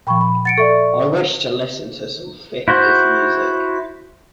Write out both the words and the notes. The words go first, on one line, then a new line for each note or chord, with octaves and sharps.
I wish to listen to some fifties music.
A#2 F3 G5 B5 C#6
B5
F#5 A6 C#7 D7
A4 D5 E5 C#6
E4 F#4 C5